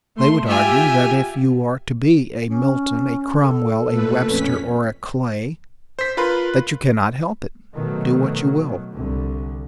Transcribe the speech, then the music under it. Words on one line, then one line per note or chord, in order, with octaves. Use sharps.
They would argue that if you are to be a Milton, a Cromwell, a Webster, or a Clay, that you cannot help it, do what you will.
A3 C6
F4 G4 E5 G#5
C#4
A4
A#2 A3 B4
F2 C#4 B6
C5 B6
F4 A#4 B4 B5 C6
B2 D#3 F#3 A3
C2 D3